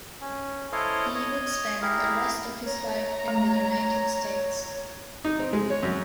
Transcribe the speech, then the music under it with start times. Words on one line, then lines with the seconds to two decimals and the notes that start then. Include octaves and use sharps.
He would spend the rest of his life in the United States.
0.21 C#4
0.72 E4 A4 C5 C#5 D#5 F5
1.15 C#5 D#5
1.82 E4 G4 G#4 A#4 F5
2.66 C#5 A#5
3.28 A3
5.25 D#4
5.39 C4
5.53 G#3
5.70 C#5
5.83 F#2